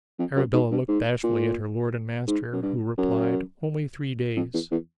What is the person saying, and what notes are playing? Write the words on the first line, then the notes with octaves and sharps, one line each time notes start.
Arabella looked bashfully at her lord and master, who replied, 'Only three days.'
F2
F#2
G#2
G2
G#2
A#2
G#2
F#2
G2
F#2
F2
E2
E2